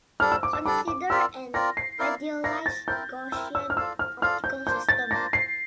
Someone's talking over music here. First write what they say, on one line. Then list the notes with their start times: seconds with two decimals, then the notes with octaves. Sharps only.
Consider an idealised Gaussian optical system.
0.20 G3 D4 A4 D5 F6
0.32 E6
0.43 D6
0.53 E6
0.65 G3 D4 A4 D5 D6
0.88 D6
1.10 C4 F4 A#4 D5 E6
1.54 C4 F4 A#4 D5 A#6
1.77 C7
1.99 E4 A#4 D5 F5
2.44 E4 A#4 D5 F5 A#6
2.66 A6
2.88 C4 E4 A#4 G6
3.32 C4 E4 A#4 E6
3.55 E6
3.70 F6
3.77 F4 A4 D5 F5 E6
3.99 F6
4.22 F4 A4 D5 F5 F6
4.44 G6
4.67 A#3 D4 F4 C5 G6
4.89 A6
5.11 A#3 D4 F4 C5 A#6
5.33 C7